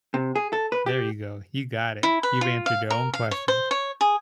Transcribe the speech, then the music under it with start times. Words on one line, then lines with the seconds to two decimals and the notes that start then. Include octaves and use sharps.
There you go. You got it. You've answered your own question.
0.14 C3
0.35 G#4
0.53 A4
0.72 B4
0.86 G4
2.03 E4
2.23 B4
2.41 F4
2.66 F5
2.90 A#4
3.13 F5
3.31 C#5
3.48 C5
3.71 C#5
4.01 G#4